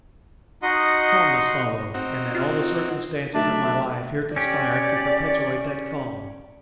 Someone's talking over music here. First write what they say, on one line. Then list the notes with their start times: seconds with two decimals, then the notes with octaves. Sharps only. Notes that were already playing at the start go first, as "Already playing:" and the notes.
Calmness followed, and then all the circumstances of my life here conspired to perpetuate that calm.
0.63 D#4 F#4 D#5 F#5 C6 D#6
1.94 C4 D#4 F#4
2.35 F4
3.34 F#3 A3 D4 D#4 E5
4.36 C#4 G4 D5